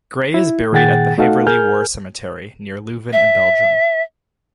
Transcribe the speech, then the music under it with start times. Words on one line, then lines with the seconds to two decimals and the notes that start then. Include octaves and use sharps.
Gray is buried at the Heverlee War Cemetery near Leuven in Belgium.
0.34 E4
0.73 A#2 D#3 G#4 F#5 G5 A6
1.18 A3 D#4 F#4 A4 F5 F#5
1.47 G#4 A#4 G#5 F6 G6
3.13 E5